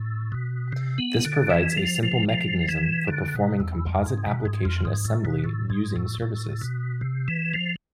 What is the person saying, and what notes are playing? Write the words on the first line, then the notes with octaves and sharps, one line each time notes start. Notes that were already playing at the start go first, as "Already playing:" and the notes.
This provides a simple mechanism for performing composite application assembly using services.
Already playing: A2
B2
C3
B3
D3
E3
F3
F3
F3
E3
D3
B2
E2
F2
G#2
B2
G#2
F2
G#2
A2
B2
A2
G#2
A2
A2
B2
C3
E3
F3